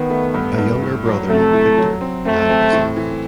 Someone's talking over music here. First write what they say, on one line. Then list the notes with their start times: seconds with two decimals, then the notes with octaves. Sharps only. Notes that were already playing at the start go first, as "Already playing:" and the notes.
A younger brother named Victor died as an infant.
Already playing: D#3 B3
0.10 A3
0.34 G2
0.58 G2
0.82 A2
1.06 F#3
1.29 C3 A3
1.53 E4
1.77 F#3
2.01 C4
2.25 A3 C4
2.49 C4
2.72 A2
2.96 E3